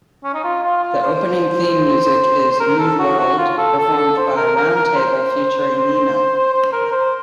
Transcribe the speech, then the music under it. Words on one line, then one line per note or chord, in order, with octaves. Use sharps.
The opening theme music is "New World", performed by Round Table featuring Nino.
C#4
D#4
F4
F4
F4
C5
C5
A#4
A4
F#4
F#4
F4
A4
A4
A4
C5
A#4
A#4
A#4
C5
C5
A#4
C5